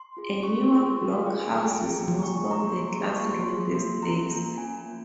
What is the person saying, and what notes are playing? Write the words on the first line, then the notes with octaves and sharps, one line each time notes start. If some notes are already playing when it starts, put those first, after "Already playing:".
A Newer block houses most of the class rooms these days.
Already playing: C6
F4 G#4
C#4 C#6
F4 G#4
C#4
F5
F4 G#4 G5
G#5
A#3 A#5
G#5
G5
F4 G#4 G#5
A#3
C#6
F4 G#4 C#6
A#5
A#3 C6
F4 G#4 C#6
C#6
A#3 C6
F4 G#4 C6
A#3 C6
C#4 F4 A#5
A#3 A#5
C#4 F4 G#5
A#3